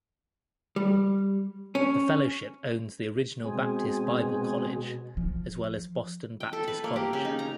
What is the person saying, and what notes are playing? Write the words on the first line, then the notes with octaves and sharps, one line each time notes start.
The Fellowship owns the original Baptist Bible College, as well as Boston Baptist College.
G3
C#4
B2 G#3 C4 G#4
F3
G5
A4
B4
A#3
G4
C#3
D#4
A#5